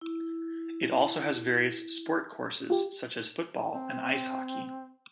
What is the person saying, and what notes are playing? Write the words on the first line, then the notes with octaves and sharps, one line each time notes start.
It also has various sport courses such as football and ice hockey.
E4
F4 G4
C4